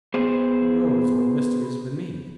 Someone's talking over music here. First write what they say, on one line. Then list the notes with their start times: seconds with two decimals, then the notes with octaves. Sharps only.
Who knows what mystery's beneath?'
0.14 B3 G#4 C5